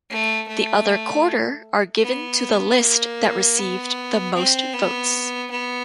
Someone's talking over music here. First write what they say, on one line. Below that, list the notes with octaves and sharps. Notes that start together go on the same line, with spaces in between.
The other quarter are given to the list that received the most votes.
A3
A3
B3
A#3
B3
C4
B3
B3